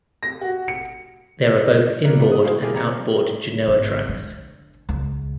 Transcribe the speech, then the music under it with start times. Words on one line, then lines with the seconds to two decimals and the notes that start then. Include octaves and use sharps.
There are both inboard and outboard genoa tracks.
0.23 A#6
0.41 F#4
0.68 C#7
2.04 A#3 B3 A#4 B4 D5 E5
2.19 B3 F4 G4 B4
2.32 D#6
2.44 E4 F#4 G#4 C5 F5
2.60 A3 E4 G4 G#4 A#4
2.74 F2 A#5 C#7
3.68 G#1
4.09 D3
4.89 C#2